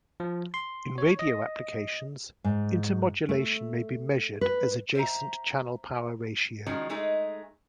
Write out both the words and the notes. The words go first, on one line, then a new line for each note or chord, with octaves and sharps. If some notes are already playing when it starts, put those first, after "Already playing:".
In radio applications, intermodulation may be measured as adjacent channel power ratio.
F3
C6
C#5
D#5
G#2
A3
B4
C5 E5 A#5
D#3 F3 F#3 G#3 C#4 D4
G#3 A3 D#4 G#4